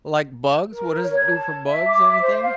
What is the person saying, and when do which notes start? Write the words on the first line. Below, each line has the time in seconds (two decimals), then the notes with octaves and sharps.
Like bugs? What does it do for bugs? Anything?
0.72 A#4
1.03 C#5
1.16 G#6
1.30 A5
1.67 E5
1.88 D6
2.07 E5
2.22 C5
2.41 F5